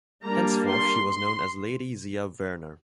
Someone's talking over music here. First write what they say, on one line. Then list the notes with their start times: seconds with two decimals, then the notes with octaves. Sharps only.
Henceforth she was known as Lady Zia Wernher.
0.24 G3 A#3 D4 A#5
0.66 C6
1.10 C6